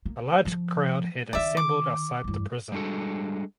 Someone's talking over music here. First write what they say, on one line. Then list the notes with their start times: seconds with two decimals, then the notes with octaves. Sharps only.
A large crowd had assembled outside the prison.
0.06 A#3
0.45 F3
1.33 D3 D#3 D5 E5
1.57 D6
2.24 E2 G2
2.72 G3 G#3 D4 F#4 A4